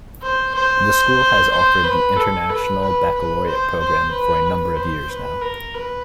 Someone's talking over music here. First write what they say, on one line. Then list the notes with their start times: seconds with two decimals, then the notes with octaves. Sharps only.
The school has offered the International Baccalaureate program for a number of years now.
0.22 C5
0.55 C5
1.52 C5
1.84 B4
2.16 A4
2.49 B4
2.81 B4
3.14 B4
3.47 C5
3.79 C5
4.11 B4
4.44 B4
4.76 C5
5.09 B4
5.41 A#4
5.74 B4